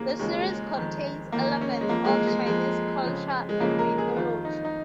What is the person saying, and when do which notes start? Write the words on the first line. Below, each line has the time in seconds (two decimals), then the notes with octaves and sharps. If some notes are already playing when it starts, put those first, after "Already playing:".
The series contains elements of Chinese culture and mythology.
Already playing: D#2 C#3 F3 A#3 G#4
0.19 D#2 C#3 F3 G#3
0.41 G#3
0.76 F2 D#3
1.32 F2 D#3 A#3
1.61 C#4
1.81 G#3
1.89 F2 F3 A#3
2.05 G#3
2.08 A#3
2.27 G#3
2.46 F2 F3 G#3
3.03 F2 C#3 F3
3.49 G#3
3.60 F2 C#3 F3 A#3
3.79 A#4
3.98 G#4
4.16 F2 D#3 F4
4.45 D#4
4.65 D#4